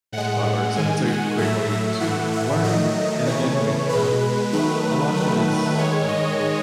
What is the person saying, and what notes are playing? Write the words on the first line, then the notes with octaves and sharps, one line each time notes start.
oh, I've already said it's a great way to learn, and again like, um, a a lot of it is, um
A2 G#3 F#5
D#3 G#3 G#5
F#5
A2 F#3 A3 E5
E5
A2 E3 A3 F#5
E5
D#3 F#3 A3 D#5
C#3 E3 A3 C#5
B2 G#3 B4
D#3 F#3 A3 B4
D#3 F#3 A3
D#3 G#3 C#5
D#5